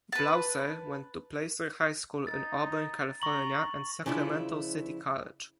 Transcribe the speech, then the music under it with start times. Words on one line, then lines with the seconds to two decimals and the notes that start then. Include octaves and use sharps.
Blauser went to Placer High School in Auburn, California and Sacramento City College.
0.12 B4 A5
2.27 D#4 A6
3.22 A#5 C#6 F#7
4.06 C#3 F3 D4 E4 F4